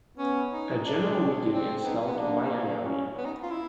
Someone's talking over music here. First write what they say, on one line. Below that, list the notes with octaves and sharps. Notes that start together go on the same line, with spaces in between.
A General Meeting is held biannually.
B3 C#4
D#4
D4
C#4
C4 D4
B3 D#4
A#3
B3
A#3 D4
C#4
B3
D#4
F4
E4